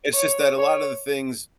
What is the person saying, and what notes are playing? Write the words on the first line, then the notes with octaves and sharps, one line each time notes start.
It's just that a lotta the things
C#5
C#5